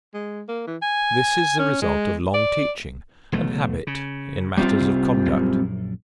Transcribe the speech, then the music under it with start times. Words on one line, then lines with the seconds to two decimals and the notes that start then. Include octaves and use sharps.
This is the result of long teaching and habit in matters of conduct.
0.14 G#3
0.48 A#3
0.67 E3
0.82 G#5
1.59 C#4
1.82 G#3
2.34 D5
3.32 E1 B1 A3
3.87 C#3
4.57 G3 C4 F4
4.80 C2
5.25 A#1 F#2